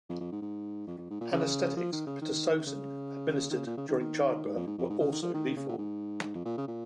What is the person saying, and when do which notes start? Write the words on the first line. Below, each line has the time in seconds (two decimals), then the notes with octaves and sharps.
Anesthetics and pitocin administered during childbirth were also lethal.
0.09 F2
0.21 F2
0.32 G#2
0.42 G#2
0.87 F2
0.98 F2
1.10 G#2
1.21 A#2
1.32 C#3
1.77 F3
1.92 D#3
2.07 C#3
2.21 D#3
2.67 C#3
3.51 D#3
3.55 C#3
3.67 A#2
3.77 C#3
3.89 D#3
4.00 D#3
4.45 G#2
4.56 F2
4.67 G#2
4.78 F2
4.89 G#2
5.00 C#3
5.12 D#3
5.22 F3
5.34 D#3
5.57 C#3
5.69 A#2
5.78 G#2
6.23 G#2
6.35 F2
6.45 A#2
6.57 C#3
6.67 A#2